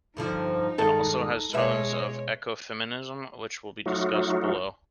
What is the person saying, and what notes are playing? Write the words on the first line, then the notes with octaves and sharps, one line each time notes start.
It also has tones of ecofeminism, which will be discussed below.
G2 D3 F3 D#4
G2 D#3 G#3 A4
B2 G#3 B4 C#5 E5
F#3 A3 D#4 F4 F#4